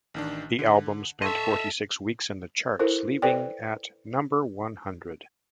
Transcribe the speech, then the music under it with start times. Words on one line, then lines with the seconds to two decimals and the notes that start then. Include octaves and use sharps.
The album spent forty-six weeks in the charts, leaving at number one hundred.
0.14 A1 D#3 D4
0.59 D3
1.22 A4 D#5 E5 C6 C#6
2.79 E4 A4 A#4 C5
3.22 A4 B4 C5 D5 G5